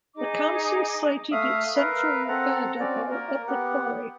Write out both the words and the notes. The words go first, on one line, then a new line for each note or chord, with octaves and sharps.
The Council sited its Central Repair Depot at the quarry.
D#4 G#4 D#5 D6
A3 E5 F5 D#6
A#4 B4 E5 F5
C4 A4 F#5 A#5
C4 C#4 F#4 D5
A#3 A#4
B3 G4 F#5